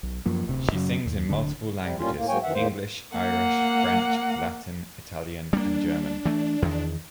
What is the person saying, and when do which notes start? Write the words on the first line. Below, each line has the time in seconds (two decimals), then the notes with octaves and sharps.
She sings in multiple languages: English, Irish, French, Latin, Italian and German.
0.03 B1
0.26 F#2 F3 A#3
0.47 D1 C3
0.73 F#2 C#3 F#3
1.06 D#2
1.29 D1 D3 D4
1.81 C3 G3
1.98 A2 G3 A#3 C#4 F4
2.16 A2 A#3
2.28 G#2 F#3 A#3 C#5 G5 G#5
2.43 F#2 D#3 E3 E5 F#5
2.54 E2 A2 D#3 A#3 C5
3.14 A#3 F#5
5.53 G3 A#3 D4
6.25 E3 A3
6.62 E2 D#3